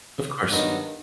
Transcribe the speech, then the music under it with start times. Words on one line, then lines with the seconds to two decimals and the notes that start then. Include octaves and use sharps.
of course.
0.50 G2 D#3 F#3 B3 D#4